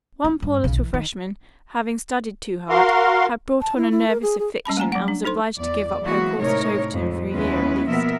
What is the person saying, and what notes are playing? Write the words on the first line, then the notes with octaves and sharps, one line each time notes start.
One poor little freshman, having studied too hard, had brought on a nervous affection and was obliged to give up her course at Overton for a year at least.
C#4
G2
B1 C#3
E3
D#3
F#4 A#4 F5 C6
A5
E4
E4
A#4
G#4
G#4
G3 C#4 A5 B5
A3 A#3 G#5 A#5
F#3 F#5
D4
D#4 A4 C5 C6
E2 D5
E3 F#3 G#3 A#3 B3 F#4
A2 C3 D#4 A#4 C#5
F2 G#3
D#2 G#3 B3 C#4 E4 B4
B2 F3 A#3 B3 A#4 E5